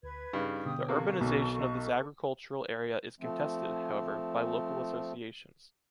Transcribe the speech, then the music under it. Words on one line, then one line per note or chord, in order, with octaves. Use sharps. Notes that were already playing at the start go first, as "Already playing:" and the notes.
The urbanization of this agricultural area is contested, however, by local associations.
D2 B4 G#6
G2 C#3 D#4
B2 D3 B3 G5 D#6
C3 A#3 A4 C#6
B1
D#5
F3 A3 C4